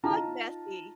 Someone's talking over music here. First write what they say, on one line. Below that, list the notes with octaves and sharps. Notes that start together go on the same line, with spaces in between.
So, like, messy
D#4 F4 A5 A#5